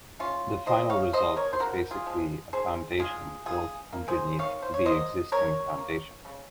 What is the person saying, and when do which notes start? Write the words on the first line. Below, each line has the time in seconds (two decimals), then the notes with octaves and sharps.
The final result is basically a foundation built underneath the existing foundation.
0.19 G#3 C#4 F4
0.66 C#3 C5 D#5
0.90 C#5 F5
1.13 F3 A#3 C5 D#5
1.36 A#4 C#5
1.53 C5
1.59 C#3 F#4 A#4
1.91 F4 G#4
2.06 F3 G#3
2.53 D#3 G#4 C5
2.99 G#3 F4 G#4
3.46 D#3 F4 G#4
3.92 A#3
4.08 G#4 C5
4.39 D#3 C#5 F5
4.62 C5
4.74 C#5
4.86 F#3 A#3 C5 D#5
5.32 D#3 A#4 C#5
5.78 A#3
6.25 C#3